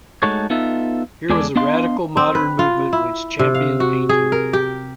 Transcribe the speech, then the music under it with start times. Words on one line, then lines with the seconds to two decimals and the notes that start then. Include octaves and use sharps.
Here was a radical, modern movement which championed painting.
0.23 G#3 A3 D#4 F#4 A4 C#5
0.50 B3 D#4 F4 A4 E5
1.30 E2 G#3 G#4 A4 D5
1.56 B3 D4 D#5 F5 C6
2.17 C4
2.35 B4
2.59 F4
2.93 E4
3.39 C3
3.54 F5
3.80 F#4
4.09 G#4
4.32 A#4
4.53 G4